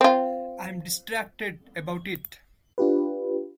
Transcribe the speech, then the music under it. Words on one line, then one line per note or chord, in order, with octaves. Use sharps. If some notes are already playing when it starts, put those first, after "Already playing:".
I'm distracted about it.
C4 F4
D4 F4 G4 B4